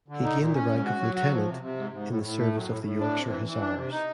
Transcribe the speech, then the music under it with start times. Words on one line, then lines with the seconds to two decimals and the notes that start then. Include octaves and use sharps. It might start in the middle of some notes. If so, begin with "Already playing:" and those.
He gained the rank of Lieutenant in the service of the Yorkshire Hussars.
0.08 D3
0.24 D#4
0.39 A#2
0.54 C#4
0.70 G#2
0.85 F#4
1.00 F#3
1.16 F#4
1.31 F3
1.46 C3
1.62 C3
1.77 G#2
1.92 G#2
2.08 A2
2.23 A2
2.38 A3
2.54 F#2
2.69 A2
2.84 A2
2.99 D4
3.15 C3
3.30 E3
3.46 E3
3.61 D4
3.76 C3
3.91 D#4